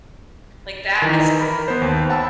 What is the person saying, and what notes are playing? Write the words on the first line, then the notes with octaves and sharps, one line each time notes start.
Like, that has
D#3 E3 D#4
A#4 B5
B3 C5
D#2
F#5 A5 B5 E6